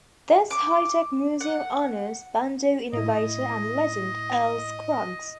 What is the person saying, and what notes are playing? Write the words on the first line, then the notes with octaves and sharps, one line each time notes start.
This high tech museum honors banjo innovator and legend Earl Scruggs.
D6
F#5
A2 E4 D#5